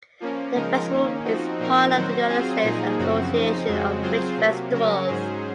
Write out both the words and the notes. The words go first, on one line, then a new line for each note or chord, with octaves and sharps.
The festival is part of the United States Association of Fringe Festivals.
F3 A#3 C#4
C#3 F3 G#3 D#4 A#4
D#3 A#3 C#4
F3 C4 D#4 F#4
A#2 F3 C4 D#4 A#4
D#3 F#3 C4 F#4 C5
F#3 C4 F4 G#4 C5
A#2 F3 A#3 D#4 G#4
F#2 C#3 F3 C4 F#4
C#3 F3 C4 D#4
F2 C#3 G#3 C4 F#4
F#3 C4 F4 G#4 C5
C3 F#3 A#3
C#3 F#3 C#4 F#4 A#4
G#2 F#3 C#4 G#4 C5